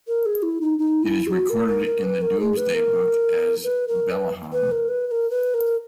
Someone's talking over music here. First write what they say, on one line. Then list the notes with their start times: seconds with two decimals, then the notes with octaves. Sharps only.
It is recorded in the Domesday book as Beleham.
0.08 A#4
0.26 G#4
0.43 E4
0.61 D#4
0.79 D#4
1.03 E4
1.27 G#4
1.31 F#4
1.50 A#4
1.67 A#4
1.86 A#4
2.03 B4
2.22 A#4
2.40 G#4
2.57 B4
2.74 A#4
3.64 B4
3.88 A#4
4.11 B4
4.53 B4
4.71 A#4
4.88 B4
5.07 B4
5.11 A#4
5.30 B4
5.54 A#4